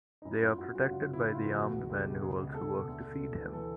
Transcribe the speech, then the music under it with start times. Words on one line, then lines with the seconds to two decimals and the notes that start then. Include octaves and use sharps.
They are protected by the armed men who also work to feed him.
0.22 D#4
0.25 F#2 E4
0.42 F#2 F4
0.58 F#2 F#4
0.75 F#2 F#4
0.91 C#3 F4
1.08 C#3
1.13 E4
1.23 C#3
1.35 F4
1.40 E3
1.56 B2 F#4
1.72 C#2
1.90 C#2 G4
2.06 B2
2.22 C#2 G#4
2.39 C#2
2.54 C#2 A4
2.72 B2
2.88 D2
3.04 D2
3.20 D2
3.36 E3
3.53 E3 A4